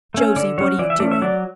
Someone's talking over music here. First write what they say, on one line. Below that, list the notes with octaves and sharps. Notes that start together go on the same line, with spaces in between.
"Josie, what are you doing?"
A3 C#4
D3 D5
F#3 C#4 C#5
E3 D5
E5
A3 C#4 D5
E5
F#3 D5